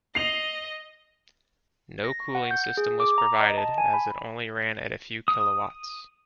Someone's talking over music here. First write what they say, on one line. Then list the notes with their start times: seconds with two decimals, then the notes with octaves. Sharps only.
No cooling system was provided as it only ran at a few kilowatts.
0.15 D#5 C7 F7
2.04 A#6
2.20 C#6
2.35 F#5
2.51 G6
2.77 G#4
3.00 D6
3.18 A#5
3.40 D#5
3.58 A5
3.78 G#5
3.94 B5
5.28 D#6